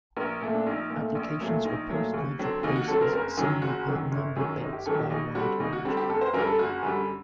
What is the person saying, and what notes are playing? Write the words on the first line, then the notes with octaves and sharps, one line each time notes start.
Applications for postgraduate places similarly outnumber beds by a wide margin.
A#1 A#4
A#2 A3
D4
A#1 D#4
A#2
A3
A#1
A#2 F#3 A3
A#1 D#4
A#2 F#3 A3
D#2
D3 F#3 C4
D#2 D#4
F#4
D3 F#3 C4 A4
A#4
F#1 A#4
F#2 D#3 F#3 D#4
F#1 F#4
F#2 D#3 F#3
G1
F#2 D#3 F#3
G1 D#4
G4
F#2 D#3 F#3 A4
G4
D#2 D#4
D3 G3 C4 F#4
D#2 D#4
F#4
D3 G3 C4
G4
F#1 A4
C5
F#2 D3 G3 A#4
A4
F#1 F#4
F#2 D3 G3